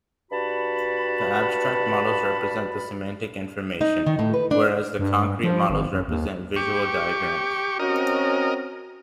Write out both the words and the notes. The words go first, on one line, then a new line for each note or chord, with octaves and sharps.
The abstract models represent the semantic information, whereas the concrete models represent visual diagrams.
G2 F#4 A5 B5
D#4
D#3
A2
B4
D4
G2
F3
G#1
F#2
D#2
G4 C#6
C4 C#4 F#4 A#4 D#5